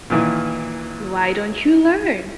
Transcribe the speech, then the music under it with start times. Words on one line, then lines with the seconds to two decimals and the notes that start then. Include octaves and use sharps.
Why don't you learn?
0.10 A#2 D#3 E3